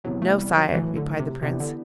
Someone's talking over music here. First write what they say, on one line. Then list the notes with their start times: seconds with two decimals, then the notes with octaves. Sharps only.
'No, sire,' replied the Prince.
0.04 E2 C3 E3 F#3 B3
0.22 A3
0.39 G3
0.57 F#3
0.74 A2 E3 F#3 A3
0.96 D3
1.19 C3
1.42 C3 E3 B3 D4 G4
1.60 D3